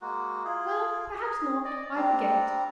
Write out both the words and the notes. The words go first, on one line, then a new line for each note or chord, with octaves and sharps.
'Well, perhaps not--I forget.
G#3 A#3 F#4
E4 F4 G#4
G#4
D5 D#5
G3 C4 D4 A#5